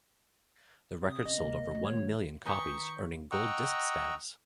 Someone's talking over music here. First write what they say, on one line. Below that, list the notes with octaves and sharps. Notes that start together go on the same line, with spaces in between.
The record sold over one million copies, earning gold disc status.
C3 D#6
C#4 D#5
E1 C3 A#3
D#3 F#3 A3
C#5
D#3 B4 G#5 A#5 C#6 D#6 G6 B6
D#5 F#5 G5 A#5 C#6 E6